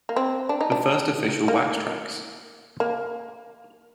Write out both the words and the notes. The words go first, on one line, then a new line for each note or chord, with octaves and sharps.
The first official Wax Trax!
A#3
C4
D4
D#4
D4
A#3
A#3